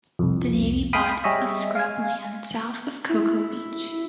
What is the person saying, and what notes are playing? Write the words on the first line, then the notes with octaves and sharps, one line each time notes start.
The Navy bought of scrub land south of Cocoa Beach.
C2 F2
F5 G5 B5 D#6
G3 G#4 C#5 D#5 E5
F5 G#5
E4